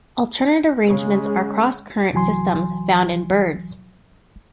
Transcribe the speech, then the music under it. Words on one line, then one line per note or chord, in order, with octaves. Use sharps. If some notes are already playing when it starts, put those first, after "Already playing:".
Alternative arrangements are cross current systems found in birds.
C#3 G#3
C2 E3 F#3 G#5 C6